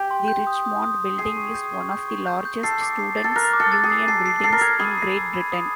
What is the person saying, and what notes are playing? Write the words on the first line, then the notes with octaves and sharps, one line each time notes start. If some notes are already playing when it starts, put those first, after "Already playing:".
The Richmond Building is one of the largest students' union buildings in Great Britain.
Already playing: G4
C6
G6
D#6
D#6
D#6
G6
G#4 C7
C#6
G6
C#6
G6
C#6
G6
G6
A4 C7
D6
C7
A6
A4
A#4 F#6
D6
A4
A6
G#4
C7
A4 C7
C7
A4 C7
A#4
A4 G#6
G#4 B5
C7
E6
B5
D#6